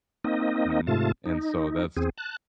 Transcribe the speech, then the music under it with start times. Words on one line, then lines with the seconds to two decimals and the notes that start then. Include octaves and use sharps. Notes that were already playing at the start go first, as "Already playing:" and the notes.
Mhm, and so that's
0.24 A#3 C4 D#4 D#5
0.87 G#2 C3 A3 F4 A5
1.26 D#4
1.97 E2 C4 G#4
2.18 A5 F#6